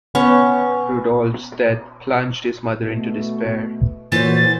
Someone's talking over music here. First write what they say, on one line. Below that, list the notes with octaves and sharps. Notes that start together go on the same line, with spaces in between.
Rudolf's death plunged his mother into despair.
B3 C#4 C#6
B2 A3
A#2 E3 F#4 C5 C#5 A6